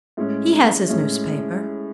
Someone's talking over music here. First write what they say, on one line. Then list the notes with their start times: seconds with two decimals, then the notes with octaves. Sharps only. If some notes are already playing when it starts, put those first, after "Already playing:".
He has his newspaper.
0.17 A2 G#3 C#4
0.89 A2 G#3 C#4